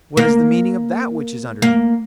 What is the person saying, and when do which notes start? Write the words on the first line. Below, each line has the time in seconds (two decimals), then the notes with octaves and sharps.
What is the meaning of that which is underneath?
0.17 A#3
1.62 A#3